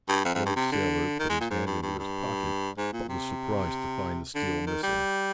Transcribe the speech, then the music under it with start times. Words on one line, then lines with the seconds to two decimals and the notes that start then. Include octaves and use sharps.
The old sailor put his hand into his pocket, but was surprised to find the steel missing.
0.09 G2
0.25 F2
0.35 F2
0.46 G2
0.56 C3
0.72 D3
1.20 D#3
1.30 G#3
1.40 A#2
1.51 G#2
1.66 G2
1.83 G2
1.99 G2
2.78 G#2
2.93 A#2
3.09 C3
4.35 D3
4.67 D#3
4.83 G3